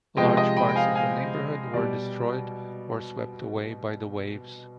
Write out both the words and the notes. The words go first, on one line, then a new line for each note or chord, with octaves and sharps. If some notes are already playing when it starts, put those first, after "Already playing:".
Large parts of the neighbourhood were destroyed or swept away by the waves.
C3 F3 G#3 D#5 G5
D#5 G5
G5 B5
G5
F5 G#5
F5 G#5
B2 G3 D5